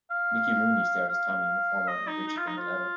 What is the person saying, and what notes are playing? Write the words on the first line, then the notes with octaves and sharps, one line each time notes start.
Mickey Rooney starred as Tommy in the former and Richard in the latter.
F5
F5
D#5
D#4
D#4
F4
D#4
F4